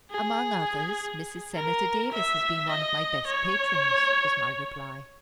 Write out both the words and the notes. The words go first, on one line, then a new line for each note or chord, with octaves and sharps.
"Among others, Mrs. Senator Davis has been one of my best patrons," was my reply.
G#4
A#4
E5
D#5
C#5